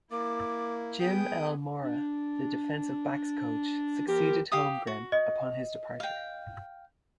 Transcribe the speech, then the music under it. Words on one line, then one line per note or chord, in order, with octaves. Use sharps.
Jim L. Mora, the defensive backs coach, succeeded Holmgren upon his departure.
A#3 E4 D6
B3 G#4 G5 D#6 G6
D4
F3 B3 G4 A#4
G4 F5 D#6
F#4
D#5
F5 G5